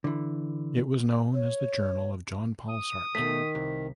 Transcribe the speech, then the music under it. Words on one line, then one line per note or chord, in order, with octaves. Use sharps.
It was known as the journal of Jean-Paul Sartre.
D3 E3
C#5
D#6
B2 D#3 A3 B6
C2